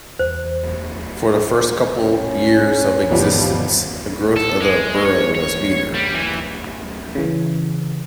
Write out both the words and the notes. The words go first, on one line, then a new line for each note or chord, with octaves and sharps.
For the first couple years of existence, the growth of the borough was meager.
E2 C5
C#4
G1 D#2 B2 E3 F3 G3
A4
G#3
C#5
C#5
G3
E3
C#3 E3